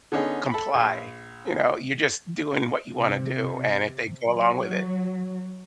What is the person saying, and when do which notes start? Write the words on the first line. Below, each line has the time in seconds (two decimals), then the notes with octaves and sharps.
comply, you know, you're just doing what you want to do, and if they go along with it,
0.12 D3 B3 C#4 D#4 G#4
0.51 A4 B5
0.75 A#1
2.94 C3
4.30 F#3